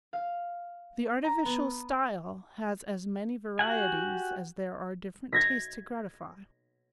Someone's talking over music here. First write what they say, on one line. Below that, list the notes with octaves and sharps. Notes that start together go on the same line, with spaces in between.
The artificial style has as many varieties as there are different tastes to gratify.
F5
A#5
B3
F#4 G4 F#5 G#5
G#6 A#6 B6